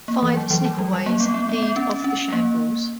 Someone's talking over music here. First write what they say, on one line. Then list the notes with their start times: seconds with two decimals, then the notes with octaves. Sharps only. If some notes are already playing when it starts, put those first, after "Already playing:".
Five Snickelways lead off the Shambles.
0.08 A#3
0.22 E3
0.37 F#3
0.50 E3
0.65 F#3
0.79 G3
0.93 F#3
1.06 A#3
1.20 B3
1.34 B3
1.49 B3
1.62 B3
1.76 C#4
2.04 C#4
2.32 A#3